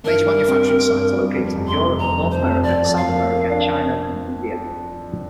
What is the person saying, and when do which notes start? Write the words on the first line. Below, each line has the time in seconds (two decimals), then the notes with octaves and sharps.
Major manufacturing sites are located in Europe, North America, South America, China and India.
0.04 G2 A#4
0.26 G3
0.48 C4
0.70 C4
0.90 G2
1.13 G3
1.35 F2
1.55 F1
1.67 C6
1.77 C3
1.98 F1 A#5
2.20 F2
2.31 C5
2.42 F2
2.63 F2 D5
2.84 F2
2.96 F5
3.07 A#3
3.29 A#3
3.50 D4